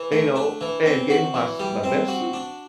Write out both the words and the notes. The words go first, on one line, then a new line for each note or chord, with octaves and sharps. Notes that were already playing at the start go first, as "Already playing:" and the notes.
you know, and gave 'em my s my best suit
Already playing: E3
A3
D4
E3
C4
F#4
E3
G3
C4
F#4
D4